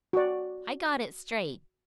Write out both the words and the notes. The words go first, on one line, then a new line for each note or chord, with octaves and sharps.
"I got it straight."
F#4 D5